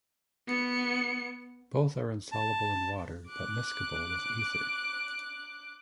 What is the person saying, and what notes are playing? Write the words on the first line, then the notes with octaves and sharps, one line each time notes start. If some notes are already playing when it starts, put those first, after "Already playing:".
Both are insoluble in water, but miscible with ether.
B3 C#7
A5
D6 F#6